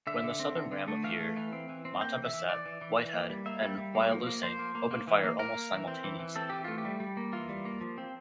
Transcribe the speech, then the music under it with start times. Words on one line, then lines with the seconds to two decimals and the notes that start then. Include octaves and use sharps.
When the Southern ram appeared, "Mattabesset", "Whitehead" and "Wyalusing" opened fire almost simultaneously.
0.07 D3 E5
0.24 D3
0.40 C4
0.56 D3
0.72 D3
0.88 A3
1.04 E3 F5
1.21 A3
1.37 E3
1.53 C4
1.69 E3
1.85 C4
2.01 A#3 G5
2.17 E3
2.25 E5
2.34 E3
2.49 E3 D5
2.65 E3
2.81 E3
2.97 E3
3.14 A#3
3.30 G3
3.46 A#3 E5
3.62 G3
3.78 G3
3.95 A#3
4.11 F3
4.27 A#3
4.42 F3 C5
4.59 A#3
4.75 A#3
4.91 A#3
5.07 E3
5.24 A#3
5.39 A#3 A#4
5.55 A#3
5.72 E3
5.88 C4
6.04 E3
6.20 E3
6.36 C4 A4
6.50 E3 G4
6.64 A3 F4
6.78 G4
6.85 G3
7.00 G3
7.17 A#3
7.33 E3 F4
7.49 G3
7.65 A#3
7.81 F3
7.98 C4